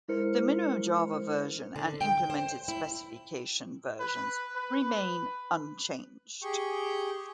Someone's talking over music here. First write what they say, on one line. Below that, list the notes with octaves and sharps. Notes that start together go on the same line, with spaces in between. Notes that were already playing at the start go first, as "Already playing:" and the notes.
The minimum Java version and implemented specification versions remain unchanged.
G#3 E4 A#4 C5 F6 C#7
D3
G5
C5
E4
B4
B4
G4 G#4 G5 C#6